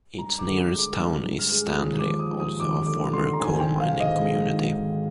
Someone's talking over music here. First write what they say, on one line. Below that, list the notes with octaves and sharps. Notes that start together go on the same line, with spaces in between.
Its nearest town is Stanley, also a former coal mining community.
G2 A#5
D6
D3
D6
G#3
D6
G2
G2
F6
G#3
D#2 D#6
D6
F3
D#6
D#2
D#6
D#2 D6
D3 D6
D3 C6
A#5
G#1 G#5
G5
G#1
F5
G#1
D#5
G#2
G#1
G#1